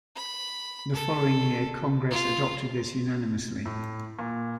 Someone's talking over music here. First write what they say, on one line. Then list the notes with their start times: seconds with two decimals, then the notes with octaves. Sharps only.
The following year Congress adopted this unanimously.
0.16 B5
0.94 A4
2.11 F4
3.66 A2
4.19 A#2